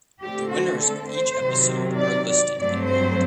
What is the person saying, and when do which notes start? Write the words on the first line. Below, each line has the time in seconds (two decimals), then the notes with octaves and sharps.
The winners of each episode are listed in bold.
0.22 D3 A3 C4 G4
0.53 F#4
0.81 A4
1.11 C5
1.40 C3 D#3 F#3
1.99 D5
2.29 D5
2.59 G2 F#3 A3 C4 D5
2.87 C5